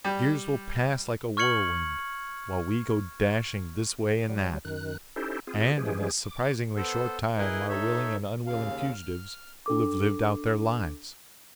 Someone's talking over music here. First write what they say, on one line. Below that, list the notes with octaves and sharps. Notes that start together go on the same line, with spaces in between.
The years will pass like a whirlwind--while we go dashing this way and that, and in a surprisingly short time our willing and unwilling fugitives will have lived out their lives.
G3
C#6 F6 G#6 C#7 F#7
F#3 G3
F#2 D#3 F#6
C#4 D#4 E4 G4 A4 C5
C4 F4 G#4
E3 F3 G#3 C#4 G4 G#4
D6
B3 A4 C5
E4 G#4 A#4 B4 D#5
D#4 A4 C#5 E5
D#2 C#3 F5
F6
D4 A4 D6